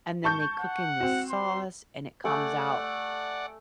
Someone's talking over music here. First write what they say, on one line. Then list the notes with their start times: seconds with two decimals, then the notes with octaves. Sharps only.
and then they cook in this sauce, and it comes out
0.24 A5 C#6 G6
0.61 F#5
1.00 C4 F#4
1.30 C6
2.24 A3 D5 F#5 G#5